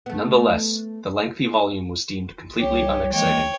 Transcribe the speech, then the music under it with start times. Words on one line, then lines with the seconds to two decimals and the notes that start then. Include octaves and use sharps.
Nonetheless, the lengthy volume was deemed completely unexciting.
0.06 A3 B3
2.59 C2 G4 C#5
3.12 E3 G#3 A#3 C#5 G5